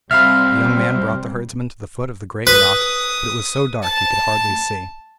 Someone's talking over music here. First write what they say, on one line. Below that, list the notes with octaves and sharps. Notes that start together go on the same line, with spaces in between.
The young man brought the herdsman to the foot of the great rock, but it was so dark you could hardly see.
C2 G3 C4 E5 F5 B5 F6
B4 D#6
A5